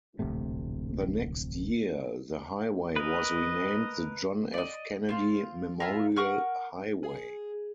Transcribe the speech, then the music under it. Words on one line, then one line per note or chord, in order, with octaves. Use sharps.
The next year, the highway was renamed the John F. Kennedy Memorial Highway.
D1 A#1 C3 A3
A#4 B4 D#5
D5 D#5
C4 F4
E4 F4 A#4
A#4 F#5 C#6 F6
G#4